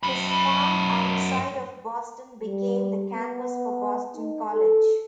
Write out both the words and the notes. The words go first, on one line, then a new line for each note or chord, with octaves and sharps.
His farm outside of Boston became the campus for Boston College.
F#2 B5
G3
B3
D#4
A4